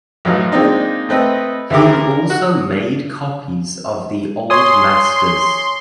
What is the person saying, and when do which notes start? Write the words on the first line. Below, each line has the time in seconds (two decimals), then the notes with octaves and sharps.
He also made copies of the Old Masters.
0.25 B1 A2 F#3 D#5 F5
0.52 G#3 A#3 C4 D4 D#4 F4
1.09 A3 C4 B4 D#5
1.70 D2 E4 G4 G#4 A#4 D6
1.93 A#4
2.30 F#4
4.50 C#5 G#5 C6 D#6